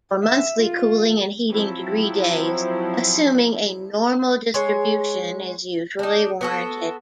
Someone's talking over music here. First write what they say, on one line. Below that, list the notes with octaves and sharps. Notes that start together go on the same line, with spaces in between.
For monthly cooling and heating degree days, assuming a normal distribution is usually warranted.
E5
F4
F3 F#3 C4 E4
G#3 C#5
D4 D#4
B3 F#4 A4